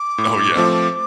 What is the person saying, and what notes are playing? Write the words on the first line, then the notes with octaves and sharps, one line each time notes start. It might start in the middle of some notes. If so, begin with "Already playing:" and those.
Oh, yeah.
Already playing: D6
A2
F3 A3 C4